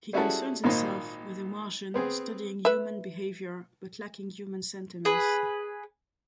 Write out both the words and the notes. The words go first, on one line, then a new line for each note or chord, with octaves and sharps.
He concerns himself with a Martian, studying human behavior, but lacking human sentiments.
G3 C#4 E4 F#4 G#4 A4
G#1 A#2 D#3 A#3 D#4 C5
B3 C4 G#4
B4 E5
G#4 B4